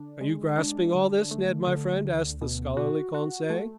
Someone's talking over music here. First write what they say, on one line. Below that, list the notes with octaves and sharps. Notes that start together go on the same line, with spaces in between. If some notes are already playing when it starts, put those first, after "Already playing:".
"Are you grasping all this, Ned my friend?" asked the scholarly Conseil.
Already playing: D3 D4
G#3
D4
D3
A3
D3
D2
B2
F#4
F#4
A3